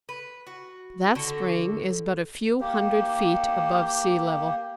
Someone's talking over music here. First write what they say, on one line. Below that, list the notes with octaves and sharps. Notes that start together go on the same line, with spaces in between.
That spring is but a few hundred feet above sea level.
B4
F#4
D3 F#4 A4
A#3 G4